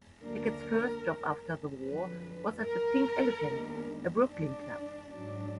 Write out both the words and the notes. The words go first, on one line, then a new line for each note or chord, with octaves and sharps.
Hackett's first job after the war was at the Pink Elephant, a Brooklyn club.
D2 D3 F#3 A#3 D4 A#4
F2 D3 F#3 B4
A#4
D#2 D#3 G#3 B3 D4
D4
G#2 F#3 D4